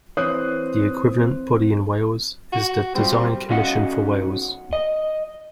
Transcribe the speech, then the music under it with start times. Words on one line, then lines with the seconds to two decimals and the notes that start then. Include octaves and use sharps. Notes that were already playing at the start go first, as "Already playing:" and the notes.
The equivalent body in Wales is the Design Commission For Wales.
0.17 E3 C4 C5 C#5 D#6 F#6
2.52 F#4
2.95 G3 C4 F4 F#4
3.50 B1 C#4 F#4 D#5 F5 F#5
4.73 D#5